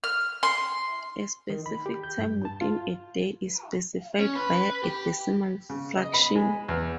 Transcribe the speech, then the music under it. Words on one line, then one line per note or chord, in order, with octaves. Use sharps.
A specific time within a day is specified via a decimal fraction.
F6
C6
D#3
B5
G4
G6
G2
A5
F4
C#4
B4
G4
C#3
D#5
B5
G#3
E2